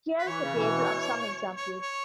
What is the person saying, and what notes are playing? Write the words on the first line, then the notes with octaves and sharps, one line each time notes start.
Here is a table of some examples.
B4
E3 C#5
C#3
B2 E3
C#5
C#5